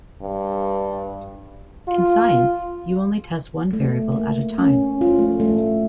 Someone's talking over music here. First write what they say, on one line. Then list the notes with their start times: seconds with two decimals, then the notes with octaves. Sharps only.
In science, you only test one variable at a time.
0.22 G2
1.88 F4
3.73 A3
4.12 A#3
4.58 C#4
5.01 F4
5.19 A3
5.40 A3